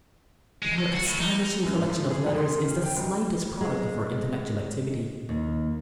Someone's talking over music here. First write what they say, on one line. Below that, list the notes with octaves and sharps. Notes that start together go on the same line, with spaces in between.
But her astonishing collection of letters is the slightest product of her intellectual activity.
G#3
A4
F#4
A2
D#4
F#2
G#2
F3
G#4
F1
C6
C#3
D#1
G5
F1
G#3
D#2